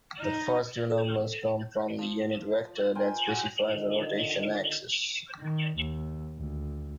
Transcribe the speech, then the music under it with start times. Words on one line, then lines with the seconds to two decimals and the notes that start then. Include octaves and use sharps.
The first two numbers come from the unit vector that specifies a rotation axis.
0.20 D#4
0.90 A4
1.99 F3
2.95 A#4 C5 G5 G#5
3.27 F#4 G#4
3.68 D3 D#3 D#4 F4 D#5
5.39 D#3
5.77 D#2
6.39 D2